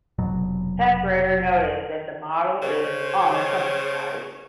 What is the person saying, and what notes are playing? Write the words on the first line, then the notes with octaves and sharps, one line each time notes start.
Techradar noted that the model is "on the chunky size".
F1 B2 F#3
C#3 C5 C#5